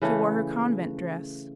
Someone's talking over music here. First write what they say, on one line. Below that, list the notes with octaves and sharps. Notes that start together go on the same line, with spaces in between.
She wore her convent dress.
C#3 E3 A3